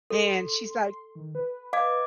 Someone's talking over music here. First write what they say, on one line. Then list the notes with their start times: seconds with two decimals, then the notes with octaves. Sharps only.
and she's like,
0.10 A4 C6
1.15 D#3
1.35 B4
1.73 D#5 F5 D6 G#6